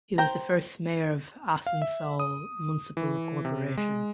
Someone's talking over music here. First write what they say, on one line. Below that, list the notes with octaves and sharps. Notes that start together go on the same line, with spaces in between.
He was the first Mayor of Asansol Municipal Corporation.
C5 G5 A#5
F5
E5
D#6
E3
C3
G#3